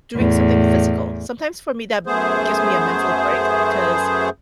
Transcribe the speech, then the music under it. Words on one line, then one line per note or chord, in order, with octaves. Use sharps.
doing something physical. Sometimes for me that gives me a mental break because
E2 A2
F#2 A3 B3 G#4 C5